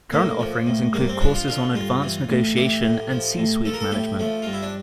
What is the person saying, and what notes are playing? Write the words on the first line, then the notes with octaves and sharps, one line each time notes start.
Current offerings include courses on "Advanced Negotiation" and "C-Suite Management".
A2 A#3
F3
A2
G2 A#3
C4
F3 D4
F4
D3 F4
G2 F4
E3
A2
E3 G4
A2
F3
A2
F3 A4
A#4
A4
A2 G4
F3 A3
G2 F4
E4
D4